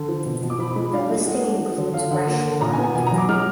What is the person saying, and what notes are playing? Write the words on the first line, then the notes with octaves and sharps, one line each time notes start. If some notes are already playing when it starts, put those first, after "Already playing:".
The listing includes Resch Park.
Already playing: D3
F3
B2
B2
D6
F3 B5
D6
G#3 B5
D4 F5
G#3
G#3 F#5
D4
F3
D3
D3 F5
D3 F#5
A#3
D3
A#2 A#5
G#5
B3
G#5
B2 G#5
A#5
F#3
D6
G#3 F6